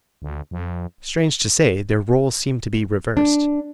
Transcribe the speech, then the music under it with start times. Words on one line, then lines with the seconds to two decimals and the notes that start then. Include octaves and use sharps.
Strange to say, their roles seemed to be reversed.
0.22 D2
0.51 F2
3.17 D4